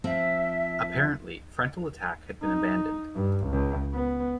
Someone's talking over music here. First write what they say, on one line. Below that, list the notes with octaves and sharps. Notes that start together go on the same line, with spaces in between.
Apparently frontal attack had been abandoned.
F3 C4 E5
D#4
G2
C#2
B3